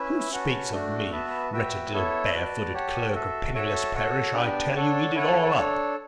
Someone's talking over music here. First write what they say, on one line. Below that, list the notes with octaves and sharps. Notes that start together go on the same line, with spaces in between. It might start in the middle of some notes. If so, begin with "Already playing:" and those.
Who speaks of me? Wretched little barefooted clerk of Penniless Parish, I tell you, eat it all up!
Already playing: C#4 E4 B4 E5
C#4 F#4 B4 F#5 A5
A3 D4 F#4
B3 F#4 B4 E5 A5
F#4 B4 E5 G5
B3 E4 A4 C#5 E5
F#4 B4 D5 A5
G4 C#5 F#5 A5
F#4 A4 E5
F#4 A4 C#5 E5 A5
F#4 A4 C#5 F#5
B3 D4 G4 D5 A5
D4 A4 C#5 F#5 A5
E4 A4 C#5 F#5 A5
D4 A4 C#5